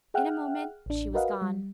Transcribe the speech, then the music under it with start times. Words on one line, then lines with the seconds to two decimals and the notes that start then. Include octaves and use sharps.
In a moment she was gone.
0.14 G#4 E5 F#5 G5 F6 F#6
0.86 A1 D4
1.14 F#4 A#4 B4 D#5 F5 F#5
1.42 G3